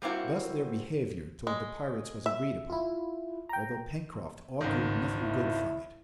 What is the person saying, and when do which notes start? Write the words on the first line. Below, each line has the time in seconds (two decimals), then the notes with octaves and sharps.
Thus their behavior towards the pirates was agreed upon, although Pencroft augured nothing good from it.
0.02 G3 A#3 C4 E4 F#4
1.47 G#3
2.26 E5
2.70 E4 F4
3.49 G5 A#5
4.61 G#1 C#2 D#3
5.21 E4